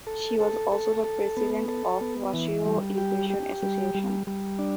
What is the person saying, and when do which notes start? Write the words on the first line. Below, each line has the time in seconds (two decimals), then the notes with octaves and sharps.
She was also the president of the Washoe Education Association.
0.07 A4
0.40 A4
0.72 A4
1.04 A4
1.37 B3
1.68 A4
2.01 B3
2.33 E3
2.66 G3
2.98 G4
3.30 G4
3.62 G3
3.95 G3
4.27 G3
4.59 D4